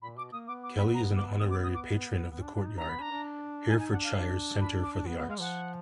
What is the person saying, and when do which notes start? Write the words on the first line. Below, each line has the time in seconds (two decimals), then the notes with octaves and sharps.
Kelly is an Honorary Patron of The Courtyard, Herefordshire's Centre for the Arts.
0.02 A#2 B5
0.17 B2 D6
0.32 A#3 D#6
0.48 B3 D6
0.63 D6
0.78 B5
0.94 A#5
1.16 D6
1.40 B3 D#6
1.51 D6
1.63 D#6
1.74 D6
2.31 B3
2.43 D4
2.54 D4
2.65 D#4
2.77 D4 A#5
2.89 B3 B5
2.99 D4 A#5
3.12 D4
3.68 D#4 G#5
3.80 G#5
3.91 D4 F#5
4.04 F5
4.15 D4
4.61 B5
4.83 D6
5.07 B3
5.17 B3 F5
5.29 G#3 F5
5.40 F3 F#5